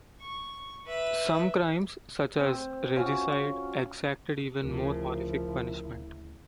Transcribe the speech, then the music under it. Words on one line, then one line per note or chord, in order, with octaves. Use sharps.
Some crimes, such as regicide, exacted even more horrific punishment.
C#6
B4 E5
C4
C#4 F4 F#4
D2 C#3 F3 E4 A#4